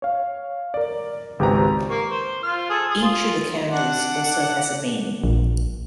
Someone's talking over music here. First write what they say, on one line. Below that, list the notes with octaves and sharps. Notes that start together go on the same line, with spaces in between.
Each of the candles also has a meaning.
C#5 F5
A#4 D5
G#1 C#2 G4 B4 C5 A#5
A#3 C#6
C5
F4 F6
G#4 A4 C5
G#4
F4
D4 F#5
A#1